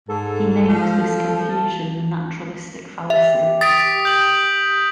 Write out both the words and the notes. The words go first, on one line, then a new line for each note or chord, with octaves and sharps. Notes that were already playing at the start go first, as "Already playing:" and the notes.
He named this confusion the naturalistic fallacy.
G#2 A4
F3
A5
G4 E5
D#6 A6 B6 D7
G6 F#7